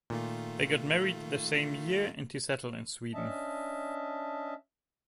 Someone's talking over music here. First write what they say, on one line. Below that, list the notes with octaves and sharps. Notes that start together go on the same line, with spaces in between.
They got married the same year and he settled in Sweden.
A#2 D#3 A3 F4
C#4 D4 D#5 E5 A5